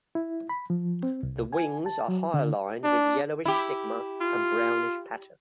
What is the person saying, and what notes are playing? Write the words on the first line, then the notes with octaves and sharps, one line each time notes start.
The wings are hyaline with yellowish stigma and brownish pattern.
E4
B5
F3
C4
C2
G#5
A5
F#3
D3
D4
E4 G4
F4